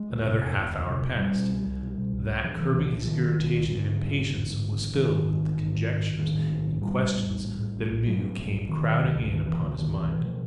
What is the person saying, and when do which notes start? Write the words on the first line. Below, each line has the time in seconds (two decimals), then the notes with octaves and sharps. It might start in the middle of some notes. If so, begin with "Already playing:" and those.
Another half hour passed, that, curbing his irritation and impatience, was filled with the conjectures and questions that anew came crowding in upon his mind.
Already playing: G#3
0.10 D2
0.25 C3
0.41 E1
0.56 E1
0.72 D2
0.88 C3
1.03 E1
1.18 B2 G3
1.34 B2
1.50 C2
1.66 C2
1.82 B2
1.97 B2
2.13 C2
2.29 C2
2.44 B2 F3
2.59 B2 E3
2.75 C2 E3
2.91 C2 F3
3.06 B2 D#3
3.22 B2
3.38 C2
3.53 C2
3.68 G#2 D3
3.85 G#2
4.01 A1
4.16 A1
4.31 G#2
4.47 G#2
4.62 A1
4.78 A1
4.93 G#2 D#3
5.09 G#2
5.25 A1
5.41 A1
5.56 G#2
5.72 G#2
5.87 A1
6.03 A1
6.18 A2 D#3
6.34 A2
6.50 A#1
6.66 A#1
6.81 A2 G3
6.96 A2
7.12 A#1
7.28 A#1
7.44 A2
7.59 A2
7.75 A#1
7.90 A#1
8.05 A2 F#3
8.22 A2
8.37 A#1
8.53 A#1
8.68 B2 D#3
8.84 B2
9.00 C#2
9.16 C#2 D3
9.31 B2 D#3
9.46 B2 E3
9.62 C#2 D3
9.77 C#2 D#3
9.93 B2 E3
10.09 B2 E3
10.25 F3